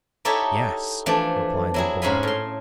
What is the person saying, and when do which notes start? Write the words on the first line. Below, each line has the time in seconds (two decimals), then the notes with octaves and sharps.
"Yes," replied the boy.
0.25 D#4 E4 G4 A4 C#5 E5
1.06 E3 F3 A3 D4
1.74 F#3 E4 G#4
2.02 G#2 C#4 E4 F5 G#5 B5
2.23 A2 C6